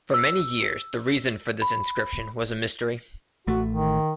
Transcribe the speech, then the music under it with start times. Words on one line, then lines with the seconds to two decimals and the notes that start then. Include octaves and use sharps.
For many years the reason for this inscription was a mystery.
0.14 E6
1.62 B5
3.47 A1 A3 F#4
3.68 D#3